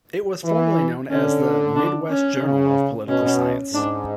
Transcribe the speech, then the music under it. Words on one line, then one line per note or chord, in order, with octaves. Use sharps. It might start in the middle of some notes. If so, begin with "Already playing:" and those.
It was formerly known as the "Midwest Journal of Political Science".
E3
D3 C#4
D4
C#4
C#3
B2 C#4
G#2 D4